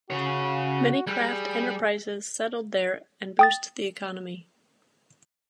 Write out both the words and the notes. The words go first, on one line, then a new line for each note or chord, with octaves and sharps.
Many craft enterprises settled there and boost the economy.
C#3 F#4 C#5
G3 G#4
G5 D#6 A6